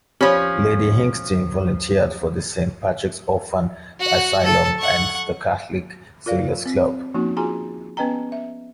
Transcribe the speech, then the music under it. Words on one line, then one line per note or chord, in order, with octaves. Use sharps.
Lady Hingston volunteered for the Saint Patrick's Orphan Asylum and the Catholic Sailors' Club.
F3 C#4 G4 C#5 B5
F#4 F#5
A4
F#5 C#6
F4 A#4 D5 F5
C4
F3 A#3 C4 C#4 D#4 F#4
F4 F#4 G#4 G#5 A#5 C6
B3 C#4 B4 D#5 G5 A#5
E5